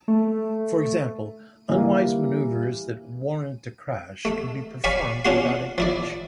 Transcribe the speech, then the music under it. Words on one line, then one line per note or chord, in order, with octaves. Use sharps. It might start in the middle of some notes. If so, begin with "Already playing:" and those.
For example, unwise maneuvres that warrant a crash can be performed without a hitch.
A3
E3 G3 A#3
A3
C#5 D5 F5 G#5 B5 C#6
C#4 D4 F4 F#4 F#5 C6
F3 E4 D5